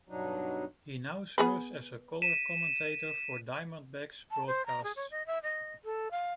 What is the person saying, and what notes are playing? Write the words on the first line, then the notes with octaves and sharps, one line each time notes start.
He now serves as a color commentator for Diamondbacks broadcasts.
G2 B2 F#3 D4 D#4
B3 G#4 B4
B6 D#7 E7
A5
C5
A#5
G#4
C#5
D#5
E5
D#5
A4
F5